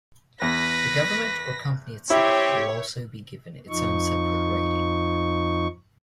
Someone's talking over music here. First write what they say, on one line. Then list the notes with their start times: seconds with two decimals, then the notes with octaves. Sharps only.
The government or company itself will also be given its own separate rating.
0.42 E2 B4 A#6 B6
2.10 C4 E4 G4 C#5
3.69 F2 F3 D#4 C#6